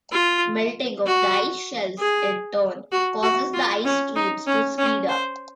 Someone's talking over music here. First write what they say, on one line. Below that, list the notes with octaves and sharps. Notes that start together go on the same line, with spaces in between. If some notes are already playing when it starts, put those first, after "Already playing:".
Melting of the ice shelves in turn causes the ice streams to speed up.
F4
F#4
G#4
F#4
F#4
F4
C#4
D#4
C#4
C#4
C5